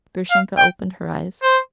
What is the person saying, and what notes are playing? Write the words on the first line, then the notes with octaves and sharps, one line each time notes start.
Grushenka opened her eyes.
F5
G5
C5